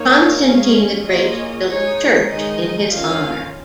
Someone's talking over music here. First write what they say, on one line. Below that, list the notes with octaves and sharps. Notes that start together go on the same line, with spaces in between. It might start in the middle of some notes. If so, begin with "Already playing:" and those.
Constantine the Great built a church in his honour.
Already playing: A#3 D#4 C#5
F5
G#3 C#4 G#4
A#3 F4 G#4 C#5 D#5
G#3 D#4 G#4 C#5
D#3 G#3 D#4 G#4 D#5
D#3 C#4 F4 F5